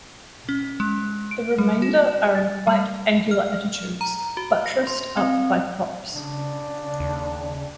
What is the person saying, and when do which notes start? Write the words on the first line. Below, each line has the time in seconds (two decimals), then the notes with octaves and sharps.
The remainder are in quite angular attitudes, buttressed up by props.
0.49 C#4
0.80 G#3
1.31 D7
1.58 G3
1.82 F#4
2.35 A6
2.67 G3
3.31 F6
4.01 A#5
4.37 F#4
4.66 A#6
4.87 C6
5.17 C4
6.15 C#3 D4
7.00 D#2